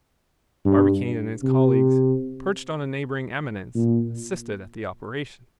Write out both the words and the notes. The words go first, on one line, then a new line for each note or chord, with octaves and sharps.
Barbicane and his colleagues, perched on a neighboring eminence, assisted at the operation.
G2
C3
A#2